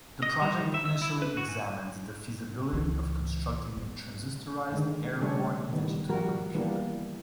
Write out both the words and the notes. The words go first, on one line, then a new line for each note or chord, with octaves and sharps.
The project initially examined the feasibility of constructing a transistorized airborne digital computer.
D#5
G3
D#3
E5
E6
E4
B4
F#4
G#5
C#2 E3
B3
D3 D#3 G#3
C#3 G3 A3 C#4 D4 C#5
D#3 G3 B3
F3 G3 F#4 A#4
E3 G3 A#3 B3 D4